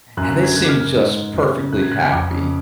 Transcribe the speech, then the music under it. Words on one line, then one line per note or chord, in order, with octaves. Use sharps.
and they seemed just perfectly happy
F#2 F#6
F#6
D3
G#6
F#2 F#6
D6
F6
C#3
F6
G#2
F#2
C#3
F#2 F#6
G#6
C#3 F#6
F6
F2 D6
C#3